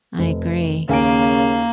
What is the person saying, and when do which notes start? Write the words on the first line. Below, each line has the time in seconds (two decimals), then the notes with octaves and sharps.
I agree.
0.19 F1 C5
0.89 D#2 C#3 A#3 G#5 D7